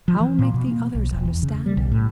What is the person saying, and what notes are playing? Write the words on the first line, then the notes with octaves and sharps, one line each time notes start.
How make the others understand it?
F3
E3
A#2
B2
A#3
B1
E1
E2
C#3
G3
B1
A2